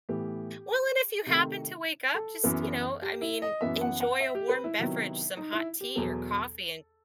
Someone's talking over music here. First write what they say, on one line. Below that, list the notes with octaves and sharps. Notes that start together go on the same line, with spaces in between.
Well, and if you happen to wake up, just, you know, I mean, enjoy a warm beverage, some hot tea or coffee, and
A2 E3 B3 G4
C3 D#3 A3
A4
F#2 E3 B3
G4
E4
D#5
F#2 E3 B3 E5
F#5
F#5
E5
G4
B4
E4
C3 D#3 F#3 B3
D#4
E4
G4
E2 B2 F#3 B3 A4